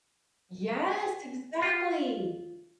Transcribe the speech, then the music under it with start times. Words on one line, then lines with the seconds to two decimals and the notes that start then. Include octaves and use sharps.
Yes, exactly.
1.62 F4